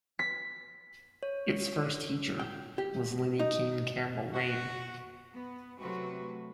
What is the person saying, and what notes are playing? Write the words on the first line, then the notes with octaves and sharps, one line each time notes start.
Its first teacher was Linnie Keen Campbell Lane.
B6
C#5
G5
G4
D#4
F#4
B3
C3 F#3 A3 C4 F#4 B4